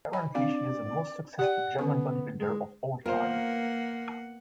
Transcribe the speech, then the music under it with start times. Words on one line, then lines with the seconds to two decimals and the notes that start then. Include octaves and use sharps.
Currently she is the most successful German bodybuilder of all time.
0.13 D#5 G#5 B5
0.35 C4 D4 D5 F5
1.39 G4 D5 F#5 G5
1.79 D3 B3 C#4 C#6
2.40 G#3
3.06 A#3 B3 F4 A#4 C5 F#5